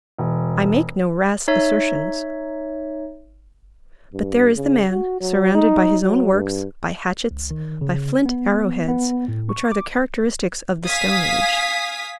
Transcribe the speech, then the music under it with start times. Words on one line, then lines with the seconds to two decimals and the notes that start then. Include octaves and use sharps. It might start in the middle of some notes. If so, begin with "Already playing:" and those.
I make no rash assertions; but there is the man surrounded by his own works, by hatchets, by flint arrow-heads, which are the characteristics of the stone age.
0.18 E1
1.48 D#4 C#5 E5
4.13 G2
4.56 C#3
4.90 F#4
5.20 F#3
5.54 D#4
6.03 F#3
6.32 G2
7.31 C#2
7.51 D#3
7.81 C#3
8.26 B3
8.88 B3
9.28 A2
9.49 C#6
9.72 D6
10.87 F5 G#5 D#6 G#6 B6